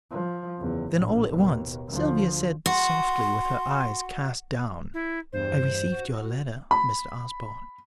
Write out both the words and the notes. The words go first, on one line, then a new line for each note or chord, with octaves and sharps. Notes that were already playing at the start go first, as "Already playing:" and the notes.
Then all at once Sylvia said softly, with her eyes cast down, "I received your letter, Mr. Osborne."
F3
F#1 E2
A#1 A2
D#2 B2
D2 F3
F#4 C6
E4
E2 G2 C5
F#4
B5